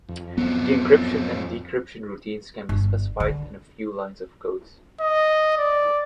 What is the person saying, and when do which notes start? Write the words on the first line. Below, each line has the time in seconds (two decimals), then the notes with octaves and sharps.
The encryption and decryption routines can be specified in a few lines of code.
0.09 F2
0.37 F#3 B3 C4
2.69 G1
3.20 D3
5.01 D#5
5.58 D5